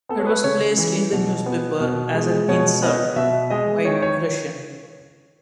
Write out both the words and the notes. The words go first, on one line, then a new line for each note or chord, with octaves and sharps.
It was placed in the newspaper as an insert: White Russian.
B3 A4
C#5
B4
C#3 C#5
E3
B2
B3
B2
G#3
B2 C#5
B3 D#5
B2 E5
G#3 D#5
D#3 C#5
C#5